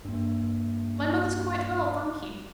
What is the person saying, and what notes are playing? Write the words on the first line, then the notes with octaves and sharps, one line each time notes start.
My mother's quite well, thank you.
G2 A#3 D4